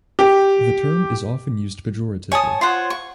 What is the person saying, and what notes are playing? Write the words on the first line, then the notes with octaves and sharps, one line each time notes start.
The term is often used pejoratively.
G4
C#5 G#5 A5 D#6
F4 C5 C#5 F#5
C#6